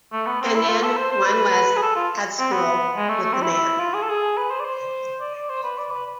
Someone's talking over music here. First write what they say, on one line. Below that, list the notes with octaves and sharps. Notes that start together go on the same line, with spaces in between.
And then one was at school with the man.
A3
B3
C4
E4
F4
A4
C5
C5
B4
G#4
A4
F4
C4
B3
G#3
A3
A3
C4
E4
F4
G#4
A4
G#4
B4
C5
D5
C5
D5
D5
C5
B4
D5
B4